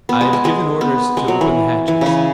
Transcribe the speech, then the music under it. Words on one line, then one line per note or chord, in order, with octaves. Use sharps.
"I've given orders to open the hatches."
B3
G#3
G#3
G#3
B3
G#3
F#3
E3
E3
C#3 E3